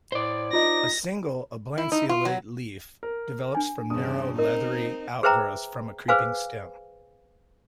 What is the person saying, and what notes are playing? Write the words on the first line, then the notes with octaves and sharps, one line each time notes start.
A single oblanceolate leaf develops from narrow, leathery outgrowths from a creeping stem.
A2 C5 D5
D#4 F4 D#5 A#6
E4
D#4
F4
F#3
A#4
D4 G#5
E2 G2 C#3 D#6
C4 D#4 A#4 D#5
G#4 B4 C5 E5 G5 A#5
G#4 B4 C5 F5 G#5